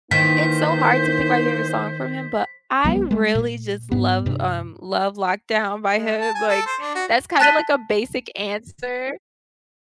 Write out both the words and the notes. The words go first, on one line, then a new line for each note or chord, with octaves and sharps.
it's so hard to pick my favorite song from him, but I really just love, um, Love Lockdown by him, like that's kind of like a basic answer.
D#3 E3 A#3 D#4 C5 B6
C2 F#3 G#3 B3
G#3 A3
A#2
G#2 B3
G2 C3
G#3
A5
G#5
A4
C5
D4
F#4
A5 F#6 A6 B6 D#7 G7